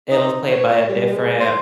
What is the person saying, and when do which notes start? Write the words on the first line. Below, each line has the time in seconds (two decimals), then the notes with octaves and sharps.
it was played by a different
0.11 D#4
0.49 C#5
0.89 G3
1.11 G#3
1.40 C5